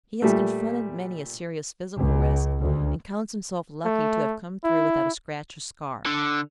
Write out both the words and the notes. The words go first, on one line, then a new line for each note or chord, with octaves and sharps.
He has confronted many a serious physical risk, and counts himself lucky to have come through without a scratch or scar.
A#2 G3 A3
C#2
D2
A3
E4
D3